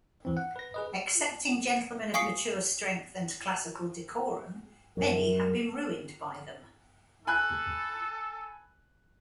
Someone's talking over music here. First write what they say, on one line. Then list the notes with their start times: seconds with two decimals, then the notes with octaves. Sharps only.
Excepting gentlemen of mature strength and classical decorum, many have been ruined by them.
0.25 E3 C4
0.37 F#5
0.56 B4 A#6
0.74 G#4 B4 D#5
2.14 F5 G#5 C#6 D#6 C7 C#7
4.97 F#2 A2 F#3 A#4
7.27 A4 G#5 B5 F#6